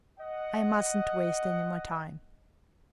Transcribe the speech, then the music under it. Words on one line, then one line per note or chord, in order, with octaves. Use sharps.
I mustn't waste any more time.
D#5 F#5